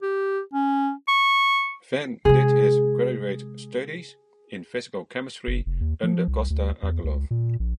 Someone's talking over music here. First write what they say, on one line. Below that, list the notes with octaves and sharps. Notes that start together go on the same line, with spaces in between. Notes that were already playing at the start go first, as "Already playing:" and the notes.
Fenn did his graduate studies in physical chemistry under Gosta Akerlof.
G4
C#4
C#6
C3 G#3 G#4
F#1
F1
D#2
F3
C2
D2
E2
C#2
A#2
A#1